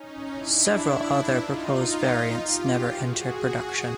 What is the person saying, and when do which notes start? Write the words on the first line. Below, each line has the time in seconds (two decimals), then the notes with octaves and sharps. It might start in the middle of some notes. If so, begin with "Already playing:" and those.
Several other proposed variants never entered production.
Already playing: C#4 D#4
0.34 D4 E4
1.35 D#4 F4
2.36 F4 G4
2.86 F#4 G#4